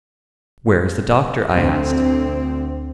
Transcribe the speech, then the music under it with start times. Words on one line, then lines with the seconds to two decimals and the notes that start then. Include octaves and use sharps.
"Where is the Doctor?" I asked.
1.55 D2 C4